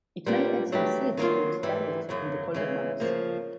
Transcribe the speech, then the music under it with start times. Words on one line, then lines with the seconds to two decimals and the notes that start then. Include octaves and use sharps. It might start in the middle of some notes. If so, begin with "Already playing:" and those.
It may add some seeds to its diet in the colder months.
0.26 A#2 G3 B3 D4
0.72 F#3 A3 D4 G4 B4
1.17 D#3 F#3 A#3 D4 F4
1.63 G#2 E3 G3 B3
2.09 F#2 C#3 F#3
2.54 C#3 E3 G#3
3.00 C#3 F3 A#3